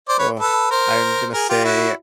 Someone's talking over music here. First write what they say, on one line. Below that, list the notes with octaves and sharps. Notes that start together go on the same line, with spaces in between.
Ugh. I'm gonna say
C5 D5
B4 C#5
A4 B4
A#4 C5
G#4 A#4
F4 G4
E4 F#4